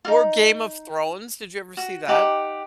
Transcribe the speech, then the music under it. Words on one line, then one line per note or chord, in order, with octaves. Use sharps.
Or Game of Thrones? Did you ever see that?
D#4 F4
F#4
D#4 G4 F#5 D6